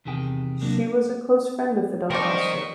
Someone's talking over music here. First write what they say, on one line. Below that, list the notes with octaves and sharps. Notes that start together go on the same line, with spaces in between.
She was a close friend of Fidel Castro.
E2 C3 D#3 G#4 G5
C3 F#3 A#3 D4
F3 C4 A#4 D5 D#5 C#6